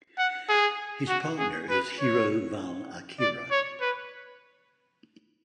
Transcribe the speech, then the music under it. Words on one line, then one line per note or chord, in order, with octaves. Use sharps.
His partner is Hiro val Akira.
F#5
G#4
F#4
G#4
B4
C#5
D5
C#5
B4